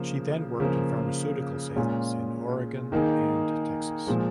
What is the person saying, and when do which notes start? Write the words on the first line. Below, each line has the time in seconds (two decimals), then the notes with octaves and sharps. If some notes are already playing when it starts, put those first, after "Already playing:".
She then worked in pharmaceutical sales in Oregon and Texas.
Already playing: C#3 F3 A#3
0.60 C#3 F3 A#3
1.76 A#2 G#3 C#4 F4 G#4
2.92 D#3 A#3 D#4 G#4
4.07 A#2 F3 G#3